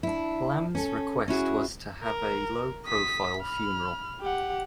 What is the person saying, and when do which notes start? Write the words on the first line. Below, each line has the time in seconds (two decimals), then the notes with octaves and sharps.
Lam's request was to have a low-profile funeral.
0.03 D4 E4
0.75 C#4 A4
1.28 C#4 E4 F#4 G#4
2.03 A#4
2.86 D#6 B6
3.39 B5 F6
4.21 G4 F#5